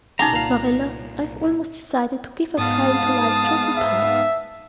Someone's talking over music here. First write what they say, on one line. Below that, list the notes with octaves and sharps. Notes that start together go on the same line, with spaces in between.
Marilla, I've almost decided to give up trying to like Josie Pye.
B2 C#4 D#4 G4 G#4 F#5 A#5
C2 A#2 F5
G#2 B3 F5 A5 D#6
E5